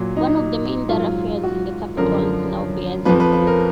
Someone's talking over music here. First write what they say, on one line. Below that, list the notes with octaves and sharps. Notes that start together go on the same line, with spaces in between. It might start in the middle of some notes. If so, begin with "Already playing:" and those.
One of the main thoroughfares in the capital now bears his name.
Already playing: A#2 F#3
D#4
G#2 F#3 F4
F#4
F#2 D3 F3 A#4
F2 F3 B4
B4
B4
A#4